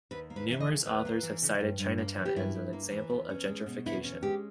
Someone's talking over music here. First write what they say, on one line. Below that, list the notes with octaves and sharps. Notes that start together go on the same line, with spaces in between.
Numerous authors have cited Chinatown as an example of gentrification.
D#2 B4
A#3
B4
E3 E5
D#5
C#3
D#2 B4
A#3
E3
C#3
G2
G2
A#3
E3
G4
G2 E4
G2
A#3
E3
E2
C#4
G#3
B2
E2 E4
C#4
G#3 G4